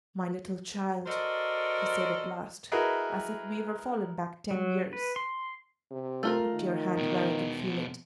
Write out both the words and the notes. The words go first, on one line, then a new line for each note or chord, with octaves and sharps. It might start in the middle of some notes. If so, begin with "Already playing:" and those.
"My little child," he said at last, as if we were fallen back ten years, "put your hand where I can feel it."
F#4 A4 A#4 C5 D5 D#5
E4 F#4 G#4 A#4 B4 D#5
F#3
B4
C6
C3
A3 F4 A#4
D#3
E2 B2